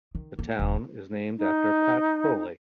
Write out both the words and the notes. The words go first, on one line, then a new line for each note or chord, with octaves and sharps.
The town is named after Pat Crowley.
D#3
A#3
E1
D#4